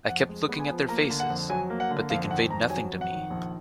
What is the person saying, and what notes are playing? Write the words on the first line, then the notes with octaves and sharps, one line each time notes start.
I kept looking at their faces, but they conveyed nothing to me.
F2 F#5
G#3
B3
G#5
F3
A#3 A#5
D3
F#5
F2
F#3 G#5
A#3
F#5
D3
F2 F5
D#3 F#5
F2 A#5
F#3 G#5
F2
F#5
D#3
A#1